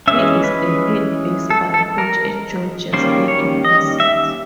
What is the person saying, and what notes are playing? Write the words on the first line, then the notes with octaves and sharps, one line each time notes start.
He is the head baseball coach at Georgia State University.
E3 G#3 C#4 E5
B4
A4
A4
A#4
D#3 G3 A#3 C#4 C5
C#5
D#5
E5